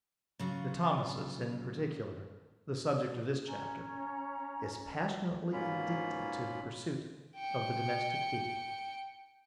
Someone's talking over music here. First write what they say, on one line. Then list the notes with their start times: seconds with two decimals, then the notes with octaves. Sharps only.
The Thomisus, in particular, the subject of this chapter, is passionately addicted to the pursuit of the Domestic Bee.
0.39 C#3 F#3 F4
3.45 C#4 A#5
5.53 G#2 B2 A#3 C#4 F4 B5
7.37 G5 C#7